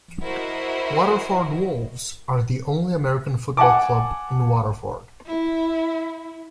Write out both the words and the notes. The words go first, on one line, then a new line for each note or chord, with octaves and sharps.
Waterford Wolves are the only American football club in Waterford.
E4 F#4 A#4 C5 D#5
F#5 G#5 A5 D6
E4